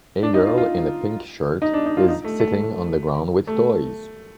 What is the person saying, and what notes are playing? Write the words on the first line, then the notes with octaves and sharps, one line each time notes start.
A girl in a pink shirt is sitting on the ground with toys.
D4
D#4
F4
F4
D#4
D4
D#4
F4
D#4
A3
A3
A3